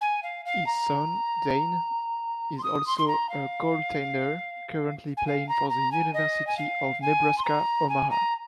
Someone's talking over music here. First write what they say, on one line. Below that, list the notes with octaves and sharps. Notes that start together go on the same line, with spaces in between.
His son, Dayn, is also a goaltender, currently playing for the University of Nebraska-Omaha.
G#5
F5
F5
A#5
C6
D#6
C6
C6
A#5
F5
G#5
F5
A#5
A#5
G#5
D#5
G#5
F5
G#5
C6
A#5
G#5
A#5